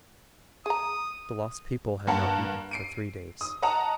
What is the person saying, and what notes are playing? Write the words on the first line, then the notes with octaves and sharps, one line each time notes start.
The lost people had not eaten for three days.
G#4 A#5 D#6
D#6
G2 A#3 F#5 A5
C7 D7 D#7
D#6
D#5 F#5 A5 A#5 D#6